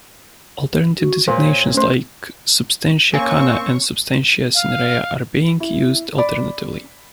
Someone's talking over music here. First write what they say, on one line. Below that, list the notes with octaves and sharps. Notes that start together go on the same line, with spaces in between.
Alternative designations like "substantia cana" and "substantia cinerea" are being used alternatively.
F#4
A#2 C5 C#5
A3 C#4 C5
A#3 C4 C#4 F5 G#5 C#6
F5
E4
D5 B5